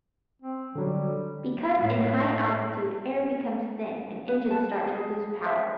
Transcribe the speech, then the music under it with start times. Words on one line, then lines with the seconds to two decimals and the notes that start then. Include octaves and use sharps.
Because in high altitude air becomes thin and engines start to lose power.
0.42 C4
0.75 D3 F#3 G3
1.78 A2
4.28 B4
4.51 A5
4.86 G#4
5.46 E5